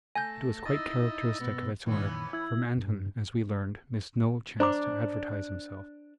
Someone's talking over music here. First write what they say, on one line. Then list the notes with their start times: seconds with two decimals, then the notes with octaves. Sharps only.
It was quite characteristic of its owner, for Manton, as we learned, missed no chance to advertise himself.
0.16 A3 G#5 G6 A#6
0.65 D#4 E4 D#5 E6 A6
1.39 B2 B3
1.86 F#2 A#2 D#3 E3 B3 C#4
2.33 E4 E6 G#6
2.78 G2
4.60 D4 C5 A#5 D6